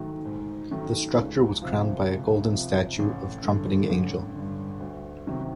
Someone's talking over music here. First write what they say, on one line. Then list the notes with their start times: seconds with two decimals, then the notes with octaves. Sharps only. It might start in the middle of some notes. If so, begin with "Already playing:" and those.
The structure was crowned by a golden statue of trumpeting angel.
Already playing: G#2 D#3 F#3 A3
0.25 G#2
0.71 D#3 F#3 A3
1.16 C#2
1.62 C3 F3
2.07 C#2
2.53 C3 F3
2.99 A1
3.44 G2 D3
3.90 A1
4.35 G2 D3
4.80 D2
5.27 C3 D#3 F#3